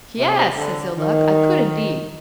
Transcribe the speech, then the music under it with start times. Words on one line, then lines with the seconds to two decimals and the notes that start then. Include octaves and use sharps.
"Yes," says Ill-Luck, "I could indeed."
0.18 C3
0.57 D3
0.96 D#3